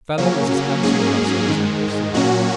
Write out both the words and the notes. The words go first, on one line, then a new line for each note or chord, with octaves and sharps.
The fellow is as handsome a rustic as need be seen.
C#3 F#3 A#3 C#4
G#2 F#3 A#3 C#4 G#4
G#2 D#3 G#3
A#2 F#3 A#3 C#4 F#4